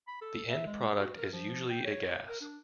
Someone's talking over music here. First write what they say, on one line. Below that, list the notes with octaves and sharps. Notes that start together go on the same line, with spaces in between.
The end product is usually a gas.
B5
A4
E5
G#3
F#4
A#4
F3
G5
C#5
A#4
D4